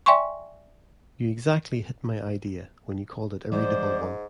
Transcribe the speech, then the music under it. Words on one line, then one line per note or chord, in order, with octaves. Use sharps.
You exactly hit my idea, when you called it a readable one.
D5 E5 G5 G#5 C6 C#6
G#2 E3 G3 G#3 C5 D5